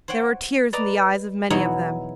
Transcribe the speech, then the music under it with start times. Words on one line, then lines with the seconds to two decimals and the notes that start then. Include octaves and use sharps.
There were tears in the eyes of many of them.
0.08 C5 C#5 F#5 G5
0.73 B4 D5 D#5 A#5
1.50 E2 B2 F#3 D#4 E4 C#5